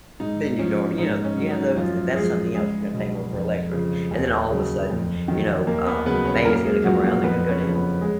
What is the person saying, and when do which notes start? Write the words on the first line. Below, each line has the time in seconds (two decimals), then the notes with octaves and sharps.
than you norm you know, you have those That's something else, you're gonna pay more for electric, and then all of a sudden, you know, um, May is gonna come around, they're gonna go down.
0.20 G#2 D#4
0.59 F3 C#4
0.98 G#2 D#4
1.24 C#4
1.38 F#3
1.50 D#4
1.76 F#2 F3 F4
2.16 F3 G#3 G#4
2.55 C#2 G#3 G#4
2.93 B2 F#3
3.33 F2
3.72 C#3 F3
4.11 D#2
4.50 C#3 F#3
4.89 F2
5.28 D#3 F#3
5.67 D#2 A#3 A#4
5.87 B3 B4
6.06 C#3 F#3 B3 B4
6.25 C#4 C#5
6.45 F#2 A#3 A#4
6.55 A#4
6.65 G#3 G#4
6.84 F3 F#3 F#4
7.03 A#3 A#4
7.23 F2 B3 B4
7.49 C#4 C#5
7.62 C#3 F3
7.76 B3 B4
8.01 G#3 G#4